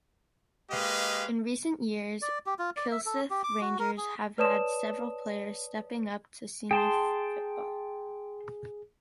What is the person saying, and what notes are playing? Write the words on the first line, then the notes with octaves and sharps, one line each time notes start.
In recent years Kilsyth Rangers have had several players stepping up to Senior Football.
G#3 A#3 G4 B4 D#5 F5
D5
G4
F4
D5
E5
A4
G4
D6
F#4
A#4
G#4
B4 C#5 D5 A5 D#6 E7
G#4 G5 A5 C6